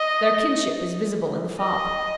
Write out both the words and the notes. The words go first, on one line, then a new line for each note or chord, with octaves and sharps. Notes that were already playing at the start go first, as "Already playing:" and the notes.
Their kinship is visible in the fop.
Already playing: D#5
D#5